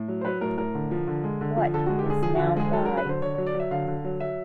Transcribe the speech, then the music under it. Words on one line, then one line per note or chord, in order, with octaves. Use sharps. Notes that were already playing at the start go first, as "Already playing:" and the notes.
What is now Live!
Already playing: A2
F#3
C5
F#3 B4
A2 A#4
A2 A#4
D3
F3
D3
G#3
D3
F3
D3 A4
G#3 F#4
G4
D3 G#4
F3 G#4
F#4
D3
F4
G#3 G#4
F#3 A4
F#3 A#4
B4
D3 C5
D3 C#5
F#3 C#5
D5
F#3
E5
D3 F5
D3
F#3
F#3 E5